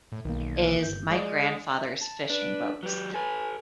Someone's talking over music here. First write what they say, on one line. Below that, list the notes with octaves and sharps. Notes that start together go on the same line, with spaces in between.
is my grandfather's fishing boat.
A2
B1 D#3 A#3
G1 G6
G#3 G#4 D5 D#5
A5
D4 B4
F#3 G4 B4
A4 B4 G#5